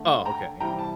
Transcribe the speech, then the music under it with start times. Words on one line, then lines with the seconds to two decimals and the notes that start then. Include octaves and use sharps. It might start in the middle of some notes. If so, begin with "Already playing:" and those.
Oh, okay.
Already playing: D3 A3
0.25 G5 A#5
0.60 C3 E3 G3 G5 A#5
0.78 A5